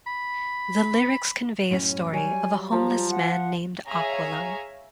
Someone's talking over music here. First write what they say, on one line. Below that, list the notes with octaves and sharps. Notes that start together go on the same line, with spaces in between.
The lyrics convey a story of a homeless man named Aqualung.
B5
F#2 A2 C#4
F#3 G3 G#5
F3 A#5
F#5
G#4 C#5 E5 F5 G#5 A#5